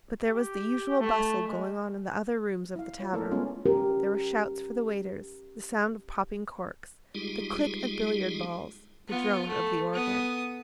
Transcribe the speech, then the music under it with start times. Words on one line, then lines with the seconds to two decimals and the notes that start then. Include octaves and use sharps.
But there was the usual bustle going on in the other rooms of the tavern; there were shouts for the waiters, the sound of popping corks, the click of billiard balls, the drone of the organ.
0.24 G4
1.00 A3
1.47 G#3
2.76 E4 F5
3.00 F4 C#5
3.13 A3 A#3 E4 A4 A#4 D5
3.31 G3 G#3 B3 C#4 F4
3.65 C#4 G4 A#4
7.15 G3 G#3 D#4 F4 G4 G#4
9.08 B3 F4
9.47 A3
9.93 B3 D#6